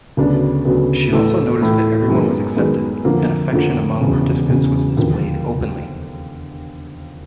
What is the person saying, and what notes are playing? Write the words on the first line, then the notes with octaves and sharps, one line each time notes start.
She also noticed that everyone was accepted, and affection among participants was displayed openly.
D2 C#3 F#3 B3 D4
D2 C#3 F#3 B3 D4
A2 E3 A3
A2 E3 A3
F#2 D#3 G#3 B3
F#2 D#3 G#3 B3
F2 D3 F3 A#3
F2 D3 F3 A#3
E1 E2 C#3
E1 E2 C#3
D#2 D3 F3